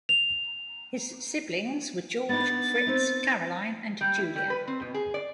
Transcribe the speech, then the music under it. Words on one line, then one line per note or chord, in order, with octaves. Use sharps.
His siblings were George, Fritz, Caroline and Julia.
F7
B3 D4 D#4 A6
C4 D#4
G3
E4
G3
B4
C4
B2
G#4
D5